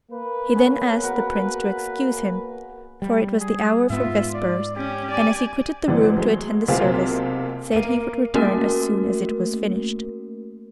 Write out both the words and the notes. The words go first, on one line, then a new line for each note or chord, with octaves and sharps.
He then asked the Prince to excuse him, for it was the hour for vespers, and as he quitted the room to attend the service, said he would return as soon as it was finished.
A#3 B4
B3 C#4 G#4
F#4 A#4 F#5
G3
G#4
G#2 B3 F4 E5
D5
C#4 G4
D5 G#5
G#1 E3 D5
F#3 G#3 A3
B1 C3 A#3 C4 F4 G#4
A#3 D#7
A3 A#3 C#4 F#4 A#4